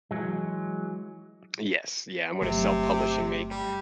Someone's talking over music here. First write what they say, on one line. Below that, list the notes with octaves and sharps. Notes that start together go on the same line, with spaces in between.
Yes yeah, I'm gonna self-publish and make
E3 F#3 G#3
G1 C3 F#3 A3
G3